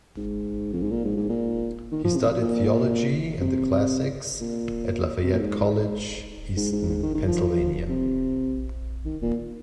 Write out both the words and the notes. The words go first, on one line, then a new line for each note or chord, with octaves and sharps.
He studied theology and the classics at Lafayette College, Easton, Pennsylvania.
G#2
F2
G#2
A#2
G#2
G#2
A#2
D#3
F3
C3
A#2
C3
A#2
C3
A#2
G#2
G#2
G#2
G#2
D#3
D#3
F3
C3
D#3
A#2